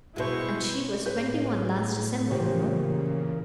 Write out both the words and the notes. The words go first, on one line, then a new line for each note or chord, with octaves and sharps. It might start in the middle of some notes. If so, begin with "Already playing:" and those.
And she was twenty-one last December, you know.
B2 G#3 B3 E4 F#4 C5 C#6
A2 G#4 B4 C#5 G6
A#2 C#3 E3 G4 A#4 C5 C#5